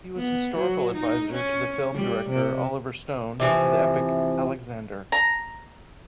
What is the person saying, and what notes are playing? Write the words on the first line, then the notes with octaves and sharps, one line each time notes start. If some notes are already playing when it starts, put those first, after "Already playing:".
He was historical advisor to the film director Oliver Stone for the epic "Alexander".
B3
F#3
D#4
C#4
G3
C3
C3 E3 F3
A#5